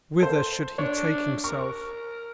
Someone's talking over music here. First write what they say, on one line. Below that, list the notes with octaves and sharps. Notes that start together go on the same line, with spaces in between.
Whither should he take himself?
A4 C5
D4 C#5
A#4 C#6